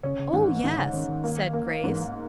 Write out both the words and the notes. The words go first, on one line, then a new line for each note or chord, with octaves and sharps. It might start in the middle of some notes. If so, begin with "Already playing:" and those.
"Oh yes," said Grace.
C#3 C#4
C#3
G#2 D#3
E3
G#2 D#3
C#3
D#3 C#4
D#3
A#3
A#3
G#2 E3